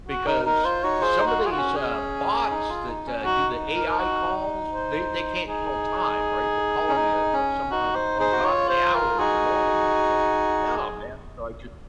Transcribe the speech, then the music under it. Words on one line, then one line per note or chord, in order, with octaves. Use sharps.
because, some of these, uh, bots that, uh, do the AI calls, they they can't tell time, right? They're calling you at, like, some un ungodly hour in the morning, and it's like, "No, man." So, I just
F#4
D#4 A#4
D#4 A#4
F4 C5
D#4 F#4 C#5
F4 G#4 C5
D#4
F#4
F4
G#4
F#4
C#4
G#4
D#4
F4
D#4
C#4
D#4 F#4
A#4
F#4
C5
D#4 G#4
C#4
D#4
C#4
D#4 F#4
C5
G#4 C5
F#4
F4 C#5
C5
A#4
D#4 F#4 G#4